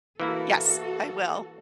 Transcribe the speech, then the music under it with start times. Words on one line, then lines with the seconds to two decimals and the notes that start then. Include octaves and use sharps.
Yes, I will.
0.20 E3 A#3 E4 F#4 A4